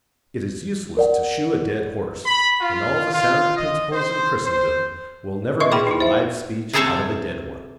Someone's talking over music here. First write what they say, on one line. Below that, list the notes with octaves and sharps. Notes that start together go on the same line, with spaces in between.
It is useless to shoe a dead horse, and all the sound principles in Christendom will never make a live speech out of a dead one.
A#4 D5 F#5
B5
F4
F4
D#5
C5
C5
B4 D#5 E5 C6 C#6
G#4 G5 B5 D6
D#4 E4
C5 E5
C3 G#4 A4 C5 C#5 A5